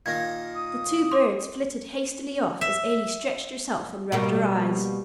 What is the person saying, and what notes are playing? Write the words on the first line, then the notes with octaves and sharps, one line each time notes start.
The two birds flitted hastily off as Elly stretched herself and rubbed her eyes.
A#2 D#3 A#3 G#6 A#6
D#6
C6 D6
E5
B2 G3 A#3